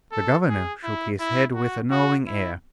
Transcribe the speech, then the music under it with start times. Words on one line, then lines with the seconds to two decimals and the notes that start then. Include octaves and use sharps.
The governor shook his head with a knowing air.
0.12 A4
0.48 G#4
0.83 E4
1.20 E4
1.55 F#4
1.91 F#4
2.27 E4